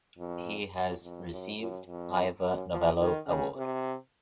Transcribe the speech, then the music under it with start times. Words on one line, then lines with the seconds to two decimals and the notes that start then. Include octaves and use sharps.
He has received Ivor Novello Award.
0.18 F2
0.74 F#2
1.03 F2
1.30 F#2
1.59 F#2
1.87 F2
2.43 F#2
2.71 F3
2.99 D#3
3.27 C#3
3.56 C3